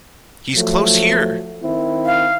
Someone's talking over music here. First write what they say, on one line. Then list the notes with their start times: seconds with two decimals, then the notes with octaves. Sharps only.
He's close here!
0.55 F3 F#3 A3
1.63 D#3 C4 E4
2.06 F5